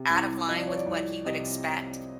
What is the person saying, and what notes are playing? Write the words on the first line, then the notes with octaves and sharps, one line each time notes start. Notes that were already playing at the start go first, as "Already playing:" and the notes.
out of line with what he would expect.
Already playing: C3
C2
F3 D#5
D5
C#5
D5
C2
C3 D#5